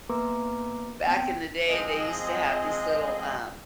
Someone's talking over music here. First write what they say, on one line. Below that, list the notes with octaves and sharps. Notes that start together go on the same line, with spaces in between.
Back in the day they used to have these little, um
A#3 B3 A#4 B4 A#5 D6
B3 C4 G5
F3 G#3 C4 G#4 D#5